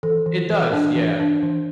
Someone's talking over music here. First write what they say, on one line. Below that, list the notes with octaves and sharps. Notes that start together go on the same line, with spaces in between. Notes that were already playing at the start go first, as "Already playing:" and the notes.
It does, yeah.
E3 A4
E3
E3
D4
E3
D4
E3